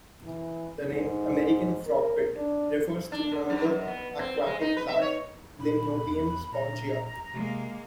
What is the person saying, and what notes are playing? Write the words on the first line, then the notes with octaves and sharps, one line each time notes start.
The name "American frogbit" refers to another aquatic plant, "Limnobium spongia".
E3
G#2
A#4
D4
D4
D3
G2
F#2
B3
C4
G#3
D#4
B4
E5
C#5
A#2 B5
E2
A#2 A#5
C3 G#3 A#3